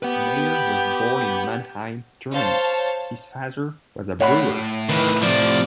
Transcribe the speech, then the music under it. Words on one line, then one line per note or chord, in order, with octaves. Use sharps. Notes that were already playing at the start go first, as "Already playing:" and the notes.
Mayer was born in Mannheim, Germany; his father was a brewer.
G4 B4 F#5
C5 C#5 F5 A5
A2 C#5 F#5 B5
D#3 E3 B4
C3 F3 D5